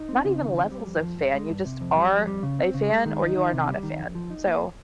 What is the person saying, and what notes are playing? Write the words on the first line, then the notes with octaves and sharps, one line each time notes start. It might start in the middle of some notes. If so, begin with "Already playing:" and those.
not even levels of fan, you just are a fan or you are not a fan. So
Already playing: D#4
C4
C#3
D#3
C4
G3
F2
F3
G2
G#3
G2
C3
F2
G3
F2
G3
C#3
C4
C#3
G#3
D#3
D#4
D#3
C3
G3
D#3
F2
F3
D#4
A#3